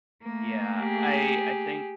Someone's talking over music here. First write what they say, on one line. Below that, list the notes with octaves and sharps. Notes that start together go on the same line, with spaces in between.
Yeah, I I think
A3 A#3
G4 G#4